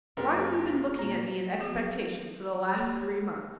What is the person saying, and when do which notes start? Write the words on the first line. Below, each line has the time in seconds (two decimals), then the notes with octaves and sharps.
Why have you been looking at me in expectation for the last three months?
0.17 F#2 C3 A#3 C4 G#4 A#4
0.99 A#2 A#5
1.59 F3 F#3 B3 F#4 G#4
2.74 A#3 F#4 G4 A4 C#5